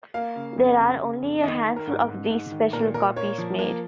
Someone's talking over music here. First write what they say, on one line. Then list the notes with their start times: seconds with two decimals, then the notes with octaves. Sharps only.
There are only a handful of these special copies made.
0.14 A#3 F5
0.36 C#3
0.58 F2
0.79 C#3
1.01 C#3
1.22 F2
1.43 D#3 D#5
1.65 D#3
1.76 A#4
1.87 G#2
2.08 G#2
2.30 G#2
2.51 D#3
2.73 A#2 A#4
2.94 A#2 A#4
3.16 A#3 C#5
3.38 F3
3.59 A#3